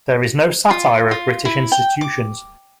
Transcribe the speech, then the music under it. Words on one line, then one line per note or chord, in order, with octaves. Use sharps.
There is no satire of British institutions.
F4
F4
E4
G5
D6